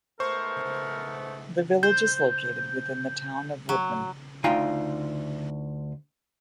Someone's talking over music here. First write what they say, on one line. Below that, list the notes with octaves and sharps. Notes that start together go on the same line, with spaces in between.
The village is located within the Town of Woodman.
G#2 A3 B3 A#4 C5 C#6
C5 G6
F#3
D2 D#4 F4 G5 G#5